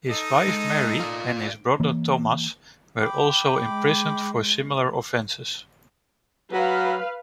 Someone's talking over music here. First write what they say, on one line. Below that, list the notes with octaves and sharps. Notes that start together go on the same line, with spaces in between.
His wife Mary and his brother Thomas were also imprisoned for similar offences.
D#4 A4 D#5
G#3
F4 D5
E3 A#3
G5 B5 D6
G#3
F#3 B4 F5